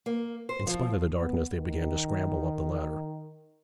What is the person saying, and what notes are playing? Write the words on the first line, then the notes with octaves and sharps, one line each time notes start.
In spite of the darkness they began to scramble up the ladder.
A#3
C5
F3
B3
D#3